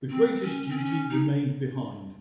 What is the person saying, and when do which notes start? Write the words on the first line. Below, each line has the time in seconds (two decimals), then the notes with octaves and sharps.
The greatest duty remained behind.
0.10 C4
0.44 C#4
0.69 C4
0.77 C#4
1.10 D#4